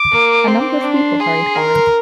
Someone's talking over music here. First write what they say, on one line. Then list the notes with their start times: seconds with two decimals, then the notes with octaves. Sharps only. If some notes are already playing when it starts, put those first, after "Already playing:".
A number of people hurried by.
Already playing: D6
0.12 A#3
0.47 C4 C6
0.59 D6
0.70 C6
0.82 D4 D6
0.94 C6
1.20 G#4 C6
1.55 A#4